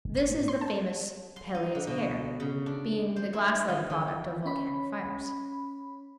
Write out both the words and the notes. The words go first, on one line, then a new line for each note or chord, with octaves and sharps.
This is the famous Pele's Hair, being the glass-like product of volcanic fires.
G1
D#7
A2
C6
A5
C6
D#4
D3
B2
C#3
D4
C5
E4
D#3
D#3
C#4 B5